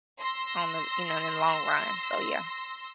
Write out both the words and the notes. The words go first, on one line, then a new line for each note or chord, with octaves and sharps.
on the, you know, in the long run, so yeah.
C6 E6 A#6